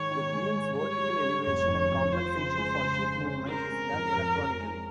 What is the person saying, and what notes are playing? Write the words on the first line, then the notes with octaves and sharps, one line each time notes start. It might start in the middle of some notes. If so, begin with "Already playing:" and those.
The beams' vertical elevation, and compensation for ship movement, is done electronically.
Already playing: G#2 D#3 G#3 C#5
D#3
G#3
G#3
G3 C#5
G3
G3
F1 C#5
F2
F2
F4 C5
C#3
G#3
C#3
G#3
C#4
C4 A#4
G#3
F2
F2
F2
G#3